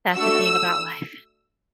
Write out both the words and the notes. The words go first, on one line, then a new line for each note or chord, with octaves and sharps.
That's the thing about life.
A3 D4 F#4 E6